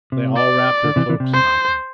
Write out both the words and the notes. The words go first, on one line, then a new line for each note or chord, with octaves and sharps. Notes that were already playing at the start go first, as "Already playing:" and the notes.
They all wrapped their cloaks about them.
C3
D5
D3
C3 E3
C3 E3
C3
C5